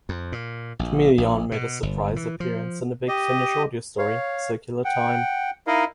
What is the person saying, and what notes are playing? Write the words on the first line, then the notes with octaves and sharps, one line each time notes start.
Kamelion made a surprise appearance in the Big Finish audio story "Circular Time".
F2
A#2
A#1
A#1
B2
G1
E3
F3
G4 D#5
C#5 F5
F#5 G5
D#4 E4 A#4 D#5 F5